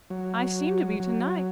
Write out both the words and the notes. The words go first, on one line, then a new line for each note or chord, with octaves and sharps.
'I seem to be to-night.
F#3
F#3